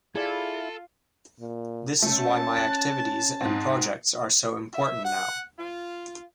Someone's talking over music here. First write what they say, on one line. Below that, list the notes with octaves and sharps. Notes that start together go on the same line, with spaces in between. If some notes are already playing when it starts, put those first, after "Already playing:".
This is why my activities and projects are so important now.
E4 F4 G#4 A4 D5
A#2
A3 C#4 A5
F#6 A6
G#2 C4
E5
F#5
F4